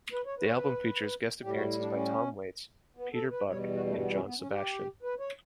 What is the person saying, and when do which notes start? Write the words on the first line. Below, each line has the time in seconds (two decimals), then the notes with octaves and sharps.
The album features guest appearances by Tom Waits, Peter Buck and John Sebastian.
0.12 B4
0.26 C#5
0.39 B4
0.45 C#5
0.53 B4
1.42 A2 G3 G4
1.54 F#4
1.67 E4
1.80 D4
1.93 C#4
2.97 B3
3.14 A4
3.30 B4
3.47 E2 B2 G3 C#5
3.73 F#4
3.87 A3
4.00 B3
4.12 C#4
4.25 B3
4.39 C#4
4.51 G4
5.02 B4
5.20 C#5